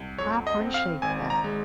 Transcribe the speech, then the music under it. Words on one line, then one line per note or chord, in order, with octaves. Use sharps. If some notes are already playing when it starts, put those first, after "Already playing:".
I appreciate that.
Already playing: C2
F2 C#5
D#5
C4
F5
G#1 G#5
A#5
G#3